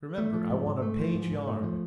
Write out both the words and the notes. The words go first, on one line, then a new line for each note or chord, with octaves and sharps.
Remember, I want a page yarn.
A3
F3
G#2
G#2
A3
F3
G#2
G#2
A3
F3